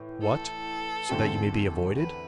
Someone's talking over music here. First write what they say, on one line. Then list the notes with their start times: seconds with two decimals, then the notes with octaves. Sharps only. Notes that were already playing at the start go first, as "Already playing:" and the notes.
"What! so that you may be avoided?"
Already playing: A2 E3
0.22 A4
1.09 E2 D3 A3 C4 G4
1.96 B4